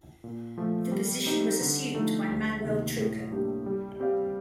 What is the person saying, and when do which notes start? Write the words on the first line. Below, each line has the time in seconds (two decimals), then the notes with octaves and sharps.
The position was assumed by Manuel Trucco.
0.24 A#2
0.58 F3 A3
0.92 G3
1.26 C4 D#4 G4
1.61 D3
1.94 F3 A3 D#4
2.29 D2
2.63 C3 D#3 A#3
2.97 A2
3.31 G3 A#3 D4 G4
3.66 G3
4.00 C4 G4 D5 F5